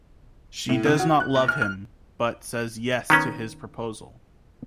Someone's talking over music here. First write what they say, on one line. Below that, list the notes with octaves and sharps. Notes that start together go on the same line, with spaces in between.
She does not love him but says yes to his proposal.
A2
C#3
F#4
F#6
A#1
F6
F6
D#3 B3 C#4